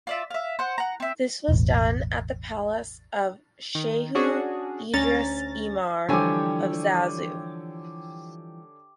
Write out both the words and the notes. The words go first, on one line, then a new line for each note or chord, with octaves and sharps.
This was done at the palace of Shehu Idris Emir of Zazzau.
F4 D5 E5
E5 F5
C5 F#5
F#5 A#5
C4 E5
E1 A1
D#3
C#4 D4 F#4 G#4
D2 C#4 A#5 A6
D3 E3 F3 G3 G4 C#5 E5 G#5